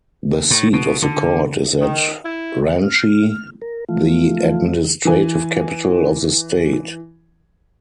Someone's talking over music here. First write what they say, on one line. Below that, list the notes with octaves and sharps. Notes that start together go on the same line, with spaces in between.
The seat of the court is at Ranchi, the administrative capital of the state.
A2
B2
D3
D#3
E4
F6
A#4
E3 F3 A3 F4
E3 G#5